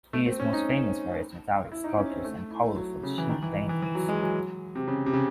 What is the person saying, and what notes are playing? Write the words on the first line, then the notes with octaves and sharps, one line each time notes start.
He is most famous for his metallic sculptures and colorful sheep paintings.
A3
C4
C#4
D#4
E4
D#4
C#4
C4
A3
E4
F#3
C#3
E3
D#3
E3
E3
E3
F#3
G#3
F#3
C3
C#3
C3
C#3